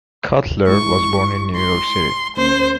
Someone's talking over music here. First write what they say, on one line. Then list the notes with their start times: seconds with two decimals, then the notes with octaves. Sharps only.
Cutler was born in New York City.
0.68 G#3 E4 C#6
1.56 C6
2.37 D2 A#3 C#4 C5